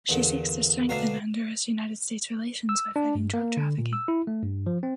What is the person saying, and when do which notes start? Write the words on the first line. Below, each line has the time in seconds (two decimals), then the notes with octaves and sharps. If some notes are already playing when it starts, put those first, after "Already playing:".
She seeks to strengthen Honduras–United States relations by fighting drug trafficking.
0.09 E2 A#2 D3
0.89 D2 B2 A3 D4 F5 A#5
2.69 E6
2.96 D4
3.15 G2
3.34 A#3
3.57 D3
3.78 A#2
3.93 E6
4.08 E4
4.27 A3
4.42 G2
4.66 F3
4.83 C4